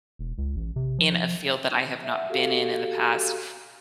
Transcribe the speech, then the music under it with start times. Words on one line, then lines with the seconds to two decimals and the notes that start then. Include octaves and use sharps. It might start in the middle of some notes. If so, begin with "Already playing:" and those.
in a field that I have not been in in the past
0.19 E1
0.38 C#2
0.56 A1
0.76 C3
0.98 F3
2.03 E5 F#5
2.29 F#4 G4 A4 F5